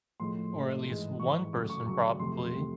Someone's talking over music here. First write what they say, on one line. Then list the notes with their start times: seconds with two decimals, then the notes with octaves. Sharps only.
or at least one person probably,
0.20 A2 F3 G#3 C6
0.53 A2 F3 G#3
0.87 G#2 E3 G#3
1.19 G#2 E3 G#3 C#6
1.53 D2 C#3 F#3 A3 D6
1.70 C#6
1.86 D2 C#3 F#3 A3 C#6
2.19 F2 C3 F3 A3 C6
2.52 C3 F3 A3